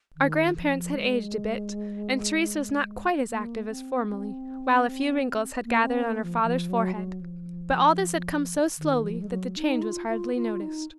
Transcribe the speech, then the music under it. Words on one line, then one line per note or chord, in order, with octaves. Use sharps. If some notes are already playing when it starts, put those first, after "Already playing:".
Our grandparents had aged a bit, and Teresa was not quite as active as formerly, while a few wrinkles had gathered on our father's forehead; but all this had come so slowly that the change was hardly noticed.
D#3
F3
G#3
A#3
C4
C4
A#3
C4
A#3
F3
F3
F#3
F#3
F3
D#3
F3
G#3
F#3
D#4
F4
F4
F4
D#4